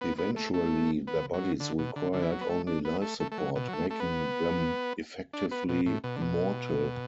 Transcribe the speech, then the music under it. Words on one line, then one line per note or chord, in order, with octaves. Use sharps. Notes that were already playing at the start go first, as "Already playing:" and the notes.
Eventually, their bodies required only life support, making them effectively immortal.
B3
B3
A3
A3
B3
F#3
D3
B2
D3
D3
E3
F#3
B3
A3
D4
B3
A3
A3
A3
F#3
B2
F#3
A3
A3
B3
D4
B3
B2
A2
B2
D3
B2